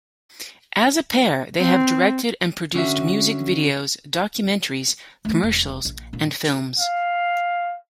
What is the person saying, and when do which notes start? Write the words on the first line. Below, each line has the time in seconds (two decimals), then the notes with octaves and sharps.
As a pair, they have directed and produced music videos, documentaries, commercials and films.
1.60 C4
2.74 D3 C#4 F#4 E5
5.25 A3 E4
5.43 E1
5.85 A#1
6.13 G2 A#2
6.79 F5